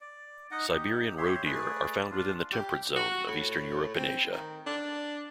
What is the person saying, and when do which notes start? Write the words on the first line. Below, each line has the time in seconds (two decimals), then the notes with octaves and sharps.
Siberian roe deer are found within the temperate zone of eastern Europe and Asia.
0.01 D5
0.51 D#4 D#5 F#5
0.70 D#4 G4
1.18 G4 C#5 E5 C6
1.45 A3 G#4 B4 D5
2.11 D4 F4
2.52 G4
2.96 F#4
3.28 A2
3.95 C4
4.33 D#3
4.66 D4